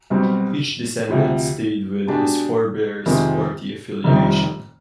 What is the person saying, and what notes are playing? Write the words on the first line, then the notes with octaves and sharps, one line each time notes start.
Each descendant stayed with his forebear's party affiliation.
B1 B2 G3 C4
D2 C3 F3
B2 G#3 D4 G4
F2 C3 D#3 G#3 C4
F1 F2 C3 D#3 G3